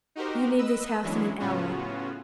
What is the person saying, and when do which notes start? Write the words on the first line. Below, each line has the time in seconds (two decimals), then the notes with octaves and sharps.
You leave this house in an hour.
0.15 D#4 F#4 G4 A#4 C5
0.58 B4 D#5 E6
1.03 E3 F#3 G#3 C#4 D4 E4
1.39 A2 C#3 B3 C#4 F4 F#4